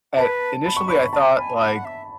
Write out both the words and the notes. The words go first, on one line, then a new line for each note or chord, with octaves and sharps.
uh initially, I thought, like,
B4 A5
B5
C#6
C#5 B5
D#5 A5
G#5 B5
F#5 B5
F#5
E5